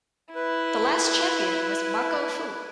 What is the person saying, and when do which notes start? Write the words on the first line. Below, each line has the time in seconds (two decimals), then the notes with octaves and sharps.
The last champion was Marco Fu.
0.35 E4 B4